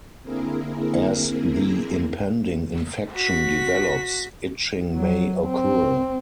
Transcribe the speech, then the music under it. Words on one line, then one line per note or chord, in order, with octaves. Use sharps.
As the impending infection develops, itching may occur.
D3 A#3 C4 E4 G#4 A#4
F#4 B6
F#3
C4